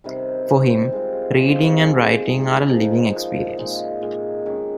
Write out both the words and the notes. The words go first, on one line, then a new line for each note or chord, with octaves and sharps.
For him, reading and writing are a living experience.
C3 D#3 G3
C3 D#3 G3
G#3 C4 F4
G#3 C4 F4
G#3 D#4 G#4
G#3 D#4 G#4
F3 A#3 D#4
F3 A#3 D#4
A#2 G#3 D#4
A#2 G#3 D#4
D#3 G#3 C#4